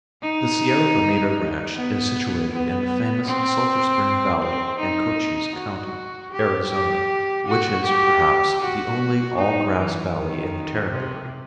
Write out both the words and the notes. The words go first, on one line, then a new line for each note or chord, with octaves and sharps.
The Sierra Bonita ranch is situated in the famous Sulphur Spring valley in Cochise County, Arizona, which is, perhaps, the only all grass valley in the Territory.
D#4
B3
B3
C4
C4
D#4
F#4
G4
G4
F#4
G4
F#4
D#4
E3
D#3
C3